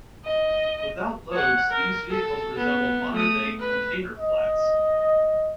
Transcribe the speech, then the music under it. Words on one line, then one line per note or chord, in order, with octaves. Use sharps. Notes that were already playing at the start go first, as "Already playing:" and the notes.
Without loads these vehicles resembled modern day "Container Flats".
D#5
C#5 F#5
A#4
A4
B3
A3 D#6
B4
D#5